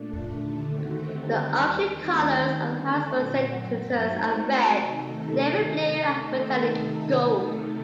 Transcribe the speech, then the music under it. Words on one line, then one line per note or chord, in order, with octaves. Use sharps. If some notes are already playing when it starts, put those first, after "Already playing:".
The official colors of the Harrisburg Senators are red, navy blue and metallic gold.
Already playing: A#2 A3 D4
D#2 D3 A3
D#3 A3 C4 F#4
D3 G3 C4 D#4 G4
D#2 D#3 G3
D#2 D#3 A3 C4
D#3 G3 C4
D3 A3 D4 A4
A#2 F#3 C4 F#4
G2 F#3 A3 C4
F#3 A3 C4 D#4
A3 C4 F#4
C3 D#3 A3 D#4 A4